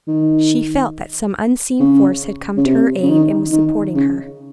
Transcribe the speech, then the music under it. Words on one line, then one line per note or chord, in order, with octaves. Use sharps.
She felt that some unseen force had come to her aid and was supporting her.
D#3
C#3
C#3
C3
C#3
D#3
D#3
C#3